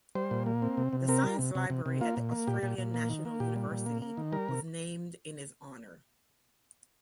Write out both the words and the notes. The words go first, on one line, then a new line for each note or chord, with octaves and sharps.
The science library at the Australian National University was named in his honour.
G3 C5
A#2
A#3
C4
C3
C3
C4 A#4
G3
C3
C3
C3
C3
A#3 F4
A#2
A#3
A#2 G4
A#2
A#2
A#3
D#3
A#3
A#2 G4
G3
A#2
A#3
A#3
D#3
G3 A#4
C3